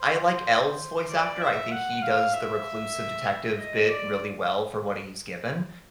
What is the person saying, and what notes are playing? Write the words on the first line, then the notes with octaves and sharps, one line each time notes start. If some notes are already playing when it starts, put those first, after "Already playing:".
I like L's voice actor, I think he does the reclusive detective bit really well for what he's given.
Already playing: C5
D5
E5
F#5
F5
E5
D#5
D5